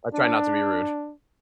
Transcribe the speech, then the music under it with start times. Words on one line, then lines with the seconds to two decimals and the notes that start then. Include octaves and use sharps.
I try not to be rude.
0.14 D4